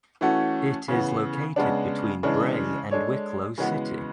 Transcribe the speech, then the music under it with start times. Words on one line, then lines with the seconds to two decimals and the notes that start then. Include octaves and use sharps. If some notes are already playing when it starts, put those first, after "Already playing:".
It is located between Bray and Wicklow city.
0.21 E3 A3 C#4 F#4
0.88 C#3 E3 B3
1.56 C#3 G#3 B3 D4
2.23 C#3 E3 G#3 D4
2.91 G#3 D4 A4 C#5
3.58 C#3 E3 G#3 B3 F#4